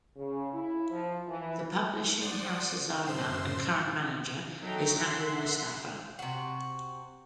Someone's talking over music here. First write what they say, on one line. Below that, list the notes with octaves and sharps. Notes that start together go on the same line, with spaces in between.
The publishing house's owner and current manager is Hamdi Mustafa.
C#3
E4
F3
E3
C5 D5 F#5 D#6
F#2 A2 C5 C6 E6
F#3 D#4 A4 E5 G5 A#5
A4 A#4 E5 F#5 C6
C3 F#4